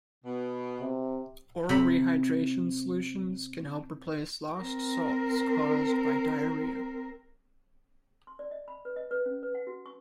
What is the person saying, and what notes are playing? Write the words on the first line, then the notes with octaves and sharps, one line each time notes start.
Oral re-hydration solutions can help replace lost salts caused by diarrhoea.
B2
C3
C3 B5
C4 A#4
C6
D5
D#5
B5
B4
D#5
B4
C#4
B4
F#5
F#4
C#6